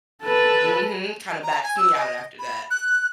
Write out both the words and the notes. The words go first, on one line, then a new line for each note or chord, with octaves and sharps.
Mhm. Kinda backs me out after that,
A4 B4
A#5
G#5
E6
D#5
B5
F#6